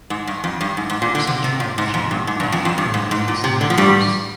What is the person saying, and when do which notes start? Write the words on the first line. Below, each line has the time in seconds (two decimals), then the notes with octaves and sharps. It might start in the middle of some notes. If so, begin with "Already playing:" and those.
It was a job she worked at for the next nine years.
0.10 G#2
0.27 G2
0.44 F2
0.61 G2
0.77 G#2
0.90 G#2
1.02 A#2
1.15 D3
1.27 C3
1.44 C3
1.60 A#2
1.78 G#2
1.94 F2
2.11 G2
2.27 G#2
2.40 G2
2.52 F2
2.65 F2
2.78 G2
2.94 G#2
3.11 G#2
3.28 A#2
3.44 C3
3.61 D3
3.70 F3
3.78 G2 G3